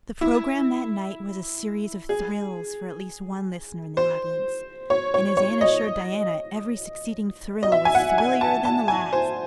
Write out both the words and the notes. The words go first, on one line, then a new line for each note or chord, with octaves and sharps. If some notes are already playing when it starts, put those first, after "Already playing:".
The program that night was a series of "thrills" for at least one listener in the audience, and, as Anne assured Diana, every succeeding thrill was thrillier than the last.
E4
G#4
C5
C#5
C#5
C#5
D#5
D#5
E5
G#5
F#5
G#5
A5
A5
G#5
C5